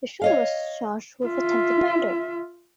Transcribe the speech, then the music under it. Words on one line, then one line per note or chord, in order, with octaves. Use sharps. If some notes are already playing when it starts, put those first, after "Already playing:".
The shooter was charged with attempted murder.
C#5 D#5 F5
F4 E5